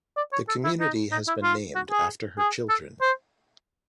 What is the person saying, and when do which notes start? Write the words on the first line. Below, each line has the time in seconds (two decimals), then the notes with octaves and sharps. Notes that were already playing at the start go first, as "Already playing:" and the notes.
The community has been named after her children.
0.17 D5
0.33 C#5
0.49 A4
0.65 E4
0.80 D#4
1.12 D#4
1.28 E4
1.43 F4
1.75 F#4
1.91 G#4
2.38 G#4
2.70 A4
3.02 C5